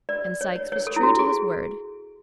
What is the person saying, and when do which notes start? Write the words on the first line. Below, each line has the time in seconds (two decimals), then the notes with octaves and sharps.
And Sikes was true to his word.
0.09 D5
0.41 C#5
0.56 C#5
0.72 C#5
0.87 A4
0.96 E4
1.03 F#4
1.19 G#4